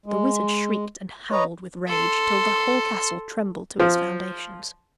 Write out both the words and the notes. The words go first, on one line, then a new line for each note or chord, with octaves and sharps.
The wizard shrieked and howled with rage, till the whole castle trembled to its foundations.
G#3
B4 C#5 D#5 A#5
A4 C6
F3